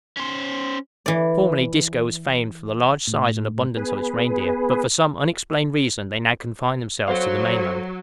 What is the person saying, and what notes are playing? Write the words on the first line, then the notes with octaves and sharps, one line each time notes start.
Formerly Disco was famed for the large size and abundance of its reindeer; but for some unexplained reason they now confine themselves to the mainland.
C#4 C5
E3 D5
A2
B3 G#4 B4
F#3 A4 C5 F5